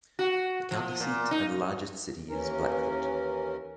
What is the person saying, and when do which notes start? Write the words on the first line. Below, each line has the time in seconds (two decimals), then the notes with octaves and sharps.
The county seat and largest city is Blackfoot.
0.19 F#4
0.71 F3
1.00 A#2
1.31 D#4
2.29 D#2 E3 C#4 A#4